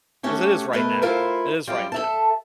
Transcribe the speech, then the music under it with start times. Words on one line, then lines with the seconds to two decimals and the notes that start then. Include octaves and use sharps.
'Cause it is right now. It is right now.
0.23 A3 C#4 F#4 G4
0.73 B2 A3 A#4 B4
1.02 E4 F4 A#4 C5
1.67 F#2 G3 F4 G4
1.92 A4 E5 A5